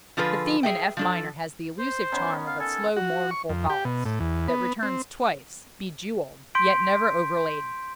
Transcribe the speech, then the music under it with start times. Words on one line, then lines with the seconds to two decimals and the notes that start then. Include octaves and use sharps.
The theme in F minor has the elusive charm of a slow, mournful valse, that returns twice, bejewelled, yet never overladen.
0.17 D3 F3 F4 G#4 B4
0.63 G#4 E5 G5
0.97 F3 D4 A4
1.79 C5
2.12 D#3 B3 C#4
2.47 F5
2.60 A4 G#5
2.97 F#4
3.31 C#6
3.49 F2
3.70 G4
3.85 B2
4.05 A2
4.20 E2
4.48 B3
4.83 C4
6.55 C6 G6 B6 D7